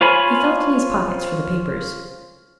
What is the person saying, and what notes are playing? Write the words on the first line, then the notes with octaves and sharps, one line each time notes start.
He felt in his pocket for the papers.
F4 C5 C#5 G#5 B5